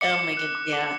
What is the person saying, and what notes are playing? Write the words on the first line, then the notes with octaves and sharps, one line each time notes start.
Oh my goodne yeah.
D6 C#7
D6
F#6
D6
D6